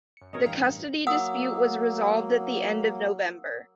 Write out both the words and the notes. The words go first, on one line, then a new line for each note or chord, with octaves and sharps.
The custody dispute was resolved at the end of November.
F#2 C#7
A1 B2 A#4 C#5 D#5
A1 G2 E3 F5 G5 A#5
F#3 A#3 F#5 D#6 E6